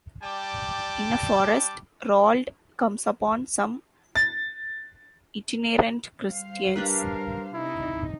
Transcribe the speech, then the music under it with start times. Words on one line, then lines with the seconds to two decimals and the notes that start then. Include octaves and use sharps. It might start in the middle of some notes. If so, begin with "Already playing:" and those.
In a forest, Rual'd comes upon some itinerant Christians.
0.23 G3 D5 G5 A5 D6
4.16 A6
6.23 G3 C5 F5
6.76 D4 G4 A#4 B4
7.54 C3 D#4 E4